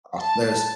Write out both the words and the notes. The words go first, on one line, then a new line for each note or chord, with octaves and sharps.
als there's
A5